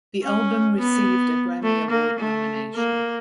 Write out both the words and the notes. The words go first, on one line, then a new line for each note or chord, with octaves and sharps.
The album received a Grammy Award nomination.
C#4
B3
A3
A#3
A3
A#3